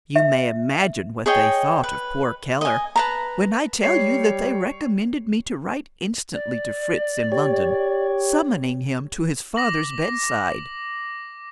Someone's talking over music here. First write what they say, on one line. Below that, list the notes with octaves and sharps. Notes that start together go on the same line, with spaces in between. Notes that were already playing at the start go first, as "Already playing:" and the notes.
You may imagine what they thought of poor Keller, when I tell you that they recommended me to write instantly to Fritz in London summoning him to his father's bedside.
E5
G#4 C#5 D#5 G5
B4
D#5 G#5
B4 A5 A#5
G3 C#5 C7
D5
G4 C#5
D6 A#6 F#7